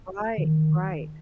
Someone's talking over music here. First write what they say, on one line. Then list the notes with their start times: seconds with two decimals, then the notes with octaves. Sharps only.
Right, right,
0.38 D#3